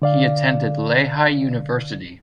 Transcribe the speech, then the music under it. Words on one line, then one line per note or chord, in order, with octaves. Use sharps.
He attended Lehigh University.
D3 D5 F5